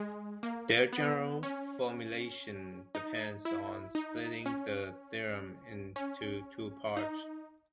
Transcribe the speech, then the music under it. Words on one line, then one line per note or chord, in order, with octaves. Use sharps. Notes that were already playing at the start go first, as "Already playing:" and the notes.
Their general formulation depends on splitting the theorem into two parts.
Already playing: G#3
A#3
B3
C#4
D#4
E4
D#4
C#4
C#4
D#4